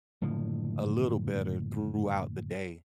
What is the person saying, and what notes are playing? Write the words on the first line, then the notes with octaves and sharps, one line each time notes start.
a little better throughout the day,
F#1 A2 D3 F3